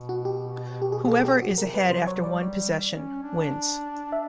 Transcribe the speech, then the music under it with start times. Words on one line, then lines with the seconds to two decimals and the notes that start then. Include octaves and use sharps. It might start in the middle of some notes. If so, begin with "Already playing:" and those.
Whoever is ahead after one possession wins.
Already playing: B2
0.09 F#4
0.25 G4
0.82 G4
0.92 G#4
1.08 A4
1.17 G#4
1.25 G4
1.42 F#4
1.58 C3 A#4
1.75 B4
1.91 F#3 C5
2.07 C#5
2.24 G3 D5
2.90 C#4
3.23 D4
4.12 E5